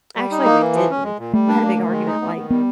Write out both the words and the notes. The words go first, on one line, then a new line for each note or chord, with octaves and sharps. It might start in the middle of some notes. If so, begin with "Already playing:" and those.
Actually, we didn't. We had a big argument, like,
G3
D#4
A#3
E3
F3
C#4
G#3
A#2
G3 A3
D4
A#3
D#3
G#3
D#4
B3
D#3
G3 B3